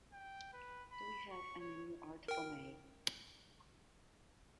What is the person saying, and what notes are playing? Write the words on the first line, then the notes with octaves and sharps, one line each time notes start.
Do we have any new art for May?
G5
B4
B5
C#6
C#5
A#4 G5